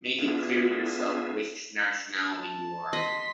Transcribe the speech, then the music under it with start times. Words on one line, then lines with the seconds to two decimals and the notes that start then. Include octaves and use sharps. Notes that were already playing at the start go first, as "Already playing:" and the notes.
Make it clear to yourself which nationality you are!
0.18 B3 D4 F4 G#4 E5
2.26 A5
2.93 D#5 C6 B6